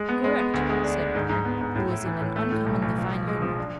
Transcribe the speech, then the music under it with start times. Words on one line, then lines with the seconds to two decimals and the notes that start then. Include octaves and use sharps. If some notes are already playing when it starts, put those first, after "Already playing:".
"Correct," said Warner, who was in an uncommonly fine humor.
Already playing: G#3
0.09 B3
0.24 G#3
0.39 B3
0.54 D2
0.69 G#3
0.84 D4
1.00 D4
1.15 G#2
1.29 G#2
1.45 B3
1.61 G#2
1.75 A2
1.91 E4
2.06 E3
2.21 A2
2.36 A3
2.52 A2
2.66 B1
2.82 B1
2.98 F3
3.12 F3
3.27 G#3
3.42 F3
3.58 D4